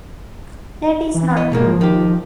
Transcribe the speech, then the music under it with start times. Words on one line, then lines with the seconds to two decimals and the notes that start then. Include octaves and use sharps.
That is not true.
1.14 E3
1.37 B3 C#5 D#5
1.52 G#2 B2 G#3 A#3
1.65 F3
1.81 D#3 G4